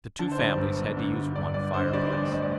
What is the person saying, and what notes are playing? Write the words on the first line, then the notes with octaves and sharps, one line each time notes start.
The two families had to use one fireplace.
D3 A5
C5
G2 D5
G1
G1
D3
G2
G1 D5
G1 D5
D3 C5
D#5
G2 D5
C5
A1 D5
A1 D#5
D5